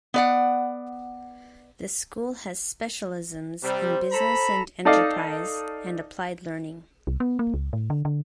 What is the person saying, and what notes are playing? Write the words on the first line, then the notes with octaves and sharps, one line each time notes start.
The school has specialisms in Business and Enterprise and Applied Learning.
B3 D5 F#5
C3 G3 C5
A4 A#5 B5
D#4 A4 D5 D#5 F5
C2
B3
A#3
C#2
A2
D3
D3